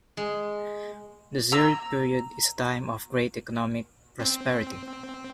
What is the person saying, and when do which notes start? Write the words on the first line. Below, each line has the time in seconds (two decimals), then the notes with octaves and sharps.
The Zirid period is a time of great economic prosperity.
0.17 G#3
1.52 A#5 E6
4.20 C4